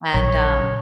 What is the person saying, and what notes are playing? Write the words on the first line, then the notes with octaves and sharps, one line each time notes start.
And, um
A#1 F#3 C#5